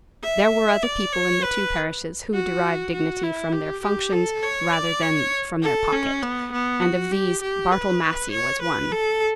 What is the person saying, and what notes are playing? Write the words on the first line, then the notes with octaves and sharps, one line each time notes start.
There were other people in the two parishes who derived dignity from their functions rather than from their pocket, and of these Bartle Massey was one.
E5
D5
C#5
B4
F#4
F#4
E4
G4
G4
A4
C#5
D5
C#5
A4
C#4
B3
B3
F#4
G4
G4
B4
C#5
B4
A4